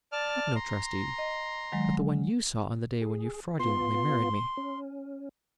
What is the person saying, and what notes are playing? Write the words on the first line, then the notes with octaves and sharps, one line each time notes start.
I have no trustee, but the one you saw on the day when you fraudulently married me.
D5 A5 F6
A#5 C6
D#5
D#3 F#3 G#3
G#4
B3 F4 C6
C#4